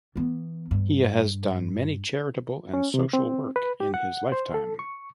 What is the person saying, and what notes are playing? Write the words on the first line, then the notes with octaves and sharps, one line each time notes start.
He has done many charitable and social work in his lifetime.
E3 B3
G2
C#4
C3
C4
B4
G4
F#5
C5
A4
C#6